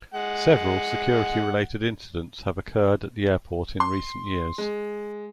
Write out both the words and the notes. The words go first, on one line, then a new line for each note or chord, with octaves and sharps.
Several security-related incidents have occurred at the airport in recent years.
G#3 F#5
C6
G#3